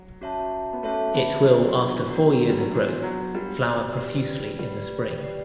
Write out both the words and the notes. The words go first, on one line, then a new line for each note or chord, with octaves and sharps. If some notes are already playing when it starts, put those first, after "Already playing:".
It will after four years of growth flower profusely in the spring.
Already playing: F#3
C#4 F#4 C#5 E5 A5
B3
A3 C#4 F#4 C#5 E5 A5
B3
G3
A3 B3 D4 F#4
F#3
F#3
E3
F#3 B3 D4 F#4
F#3
G3
F#3
E3 B3 D4 F#4
F#3
G3 B3 D4 F#4
G4 B4 D5
G3 G4 B4 D5
G4 B4 D5